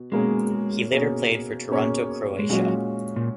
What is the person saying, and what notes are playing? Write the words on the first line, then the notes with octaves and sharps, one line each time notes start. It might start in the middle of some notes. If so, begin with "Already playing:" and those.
He later played for Toronto Croatia.
Already playing: B2
B2 G#3 A#3 C#4 G#4 C#5
B2 A#3 C#4 G#4 C#5
B2 A#3 C#4 G#4 C#5
G#3
A#2 F#3 G#3 C#4 F#4
A#2